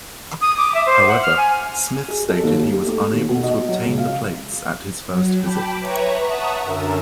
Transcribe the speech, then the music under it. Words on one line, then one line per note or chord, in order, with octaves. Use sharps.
However, Smith stated he was unable to obtain the plates at his first visit.
D#6
D6
E5
C5
F#5
F6
G#5
G#4
A4
D#2
G4
A3
D#2
B2
D#5
F#3
C#2
F5
F#3
G5 A5 B5 D6
B4 C#5 E5 A#5 C#6
E5 F#5 A5 A#5 C#6 D#6
F#2 D3 A#4 E6